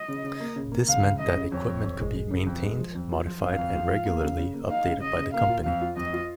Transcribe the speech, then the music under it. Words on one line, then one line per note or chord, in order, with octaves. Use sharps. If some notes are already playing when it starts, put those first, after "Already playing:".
This meant that equipment could be maintained, modified, and regularly updated by the company.
Already playing: D#5
C#3
C#3
A#3
C#3
A#3
C#2 F5
C#2
C#2 D#5
C#3
F2 C#5
F2
F2
G#3
G#3
C#3
F2
G#3
F3
F2
F4
F3
F2 F5
F2
F3
F4
A#3
C#3
C#3
A#3
D#4 F5
C#3
C#3 D#5
C#3
A#3 F5
F4
F2 F5
F4
F2 D#5
F4